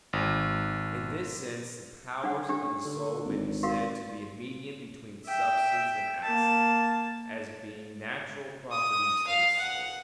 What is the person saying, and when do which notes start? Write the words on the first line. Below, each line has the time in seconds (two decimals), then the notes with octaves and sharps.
In this sense the powers of the soul may be said to be a medium between substance and accident, as being natural properties of the soul.
0.13 G#1
2.24 D4 F#5
2.49 D4 G4
2.85 D3
3.25 G#1
3.63 F#4 A#4 F5
5.26 E5 G5
6.23 A#3 A5
8.72 D#6
9.27 F5
9.59 F#5